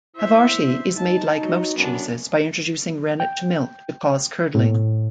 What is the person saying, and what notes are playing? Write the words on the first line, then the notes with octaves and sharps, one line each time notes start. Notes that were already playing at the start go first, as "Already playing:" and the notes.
Havarti is made like most cheeses, by introducing rennet to milk to cause curdling.
E4 C5 E5
D#4 A5
F#3
F#2 B3 D4
G5
A2